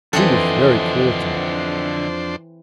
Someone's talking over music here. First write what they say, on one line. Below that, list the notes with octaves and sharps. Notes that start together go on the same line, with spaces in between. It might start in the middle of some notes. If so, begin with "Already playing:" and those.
He was very cruel to me.
F2 D3 E3 C4 D4 A4 C5 D#5